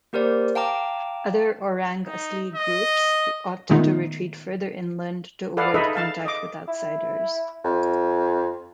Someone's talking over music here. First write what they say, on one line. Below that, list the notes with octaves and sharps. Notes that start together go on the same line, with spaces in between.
Other Orang Asli groups opted to retreat further inland to avoid contact with outsiders.
A#3 G4 A#4 C5 D5
F5 G5 A5 A#5 D6
D#4
D#5
A#2 D#3 G#3 A3 B3 D#4
A4 B4 D5 F5 F#5
D#4 G#4 A4 B4 D#5 E5
F5 A5
D#5 D6
E4
F2